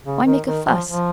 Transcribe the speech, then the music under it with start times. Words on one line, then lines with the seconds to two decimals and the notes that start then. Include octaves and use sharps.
Why make a fuss?
0.05 C#3
0.25 D#3
0.46 D#3
0.67 F3
0.87 F3